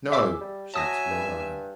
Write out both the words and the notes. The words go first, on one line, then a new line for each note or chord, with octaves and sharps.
"No," shouted Lord Arden.
G#4 E5 D6 E6
G3
F#3 E5 G#5 A5 D#6 A#6
G2